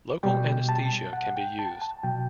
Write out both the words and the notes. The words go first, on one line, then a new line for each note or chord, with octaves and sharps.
Local anesthesia can be used.
B2 G3 G5
A5
F#5
G5
A5
A5
B2 F#3 G5